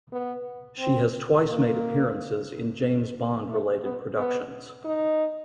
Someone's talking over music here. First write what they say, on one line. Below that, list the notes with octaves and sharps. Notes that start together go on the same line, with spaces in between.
She has twice made appearances in James Bond-related productions.
B3
C4
A#3
A3
B3
B3
D#4